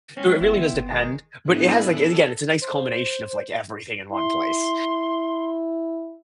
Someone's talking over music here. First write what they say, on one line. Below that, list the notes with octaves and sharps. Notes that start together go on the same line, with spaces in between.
so it really does depend, but it has, like, and again, it's a nice combination of, like, everything in one place.
G#2 C4 C#4
F#1 B3 C4 E4
D#3
G1
D#3 G#3
A2 B3 D4 E4 G#4 F#6
A4
C5
E4 C6